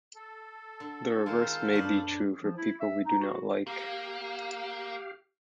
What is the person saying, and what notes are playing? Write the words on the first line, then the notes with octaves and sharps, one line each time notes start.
The reverse may be true for people we do not like.
A4
D3
D#3 G#3 F4 C5 F5
F#2 A3 D4 B4
F3
E4
E5
D#4
F#4
A#3 G4 F5